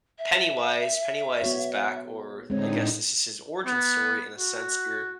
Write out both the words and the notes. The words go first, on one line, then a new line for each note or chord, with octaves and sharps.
Pennywise Pennywise is back, or I guess this is his origin story, in a sense, you're
E5
B3 F#4 C#5
A2 D3 G#3 C4 D#4 C#5
B3
F#4